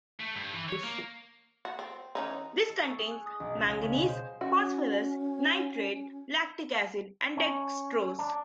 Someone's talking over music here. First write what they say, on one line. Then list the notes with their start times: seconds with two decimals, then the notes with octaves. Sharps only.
This contains manganese, phosphorus, nitrate, lactic acid, and dextrose!
0.20 A3
0.36 G2
0.53 E3
0.69 C#5
0.83 A#3
1.65 F#4
1.79 C4
2.15 E3 C#4 D#4
2.69 A4
2.86 C#6
2.98 G#4
3.11 F#6
3.26 D#6
3.40 B1
3.56 C#2
3.69 F5
3.82 C#3
3.95 B2
4.09 C5
4.41 C#4 F#4
7.37 C#4
8.19 D4